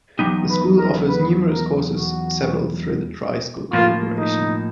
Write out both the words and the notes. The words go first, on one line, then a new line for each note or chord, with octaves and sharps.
The school offers numerous courses, several through the tri-school collaboration.
E2 C#3 F#3 B3 D#4 G4
B4
A#4
B4
A#4
F#4
A2 F3 A#3 F4
D#4